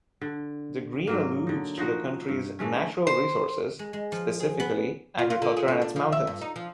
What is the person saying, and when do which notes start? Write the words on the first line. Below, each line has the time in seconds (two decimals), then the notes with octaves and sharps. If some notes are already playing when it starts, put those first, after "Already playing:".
The green alludes to the country's natural resources - specifically agriculture and its mountains.
0.21 D3
1.07 G#2 F#3 A#3
1.47 D3 D#4
1.78 F3 D#4 F#4
2.29 G2
2.59 E3 G#3 A3 C#4
3.07 C5
3.79 G#3
3.93 G#3
4.12 F3
4.40 G#4
4.60 B3
5.19 F4
5.30 F4
5.42 D3
5.57 G#4
5.68 C#4
5.82 D4
5.96 F3
6.12 E5
6.27 G2
6.41 D#4
6.56 F3